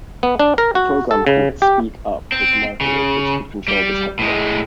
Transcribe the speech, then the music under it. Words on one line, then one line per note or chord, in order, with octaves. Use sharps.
A program called "S.peek.uP" was marketed which could control this hardware.
B3
D4
A#4
F#4
A4
C#3
G4
C4
C#3
G3
A2 G#3